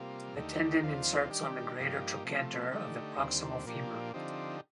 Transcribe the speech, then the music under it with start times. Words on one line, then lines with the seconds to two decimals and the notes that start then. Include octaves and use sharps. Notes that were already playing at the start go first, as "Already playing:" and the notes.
The tendon inserts on the greater trochanter of the proximal femur.
Already playing: C3 G3 A#3 F4
0.35 D#2 D3 A3 D#4 G4
0.82 D#2 D3 F3 C4 F4
1.30 D#3 G3 D4 G4
1.77 G2 F3 A#3 D#4 G4
2.24 C3 F3 A3
2.72 D3 A3 D#4 G4
3.18 D#2 D3 G3 C4
3.65 A#2 F3 A#3 D4 G4
4.13 D3 F3 C4 D#4 G4